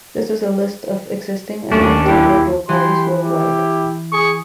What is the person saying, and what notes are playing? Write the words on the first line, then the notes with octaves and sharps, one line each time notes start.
This is a list of existing and active Liberal Parties worldwide.
D#2 A3 C#4 D4
E4 G4
E3 G4 C6
E4 G4
G#4 C#6